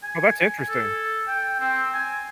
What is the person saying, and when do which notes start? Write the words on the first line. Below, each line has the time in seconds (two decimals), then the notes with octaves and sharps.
Oh, that's interesting.
0.03 G#5
0.69 A4
1.27 G5
1.60 C4
1.94 G#5